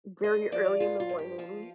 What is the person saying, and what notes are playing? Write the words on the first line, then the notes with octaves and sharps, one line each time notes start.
Very early in the morning.
G2 D#5
F3 D5
G2 F4
F4
G2
G4
F3 F4